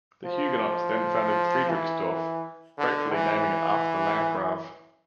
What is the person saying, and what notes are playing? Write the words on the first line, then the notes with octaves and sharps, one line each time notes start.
The Huguenots then founded Friedrichsdorf, gratefully naming it after the Landgrave.
F3
E3
D3
E3